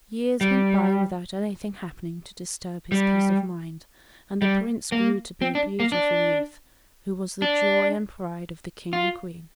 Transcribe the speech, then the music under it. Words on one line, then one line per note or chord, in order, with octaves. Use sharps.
Years went by without anything happening to disturb his peace of mind, and the Prince grew to be a beautiful youth, who was the joy and pride of the King and Queen.
G3
G3
G3
A#3
C4
D4
A#3
D4
D4
F4